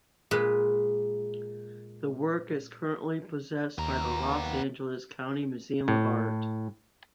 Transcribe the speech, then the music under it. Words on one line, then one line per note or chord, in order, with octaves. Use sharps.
The work is currently possessed by the Los Angeles County Museum of Art.
A#2 G#3 B4
D#2 B3 A#5
A2